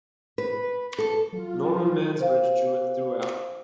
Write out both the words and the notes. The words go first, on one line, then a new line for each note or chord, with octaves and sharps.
Norman Mansbridge drew it throughout.
B4
A4
F#3 F4
C5 F5 G5